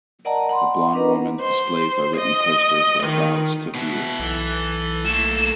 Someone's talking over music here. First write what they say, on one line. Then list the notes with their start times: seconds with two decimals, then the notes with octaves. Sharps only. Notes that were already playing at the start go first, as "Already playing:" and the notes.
A blond woman displays a written poster for crowds to view.
0.25 A#4 D5 D#5 F#5 A5 A#5
0.49 F#5 B5 C6
0.93 C#4 D4 A#4 B4 D#5 A#5
1.40 C5
2.16 D#5
3.03 D#3
3.75 B2 E4
4.19 B1 E3 A4
5.05 A3 A#3 E7